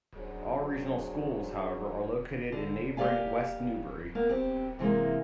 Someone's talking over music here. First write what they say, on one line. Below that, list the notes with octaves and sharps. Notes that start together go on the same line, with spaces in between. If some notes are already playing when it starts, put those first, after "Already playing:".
All regional schools, however, are located in neighboring West Newbury.
F#3 D4 F#4 G#4 C5
D3
A#3 G4 A#4 D5 F5 G#5
A#3 B3
C4 G4
C3 E3 G#3 A#3